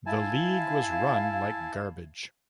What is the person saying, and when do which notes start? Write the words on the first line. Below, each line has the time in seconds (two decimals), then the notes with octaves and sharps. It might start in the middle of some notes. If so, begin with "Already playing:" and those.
The league was run like garbage.
0.06 E4 F5 G#5 A5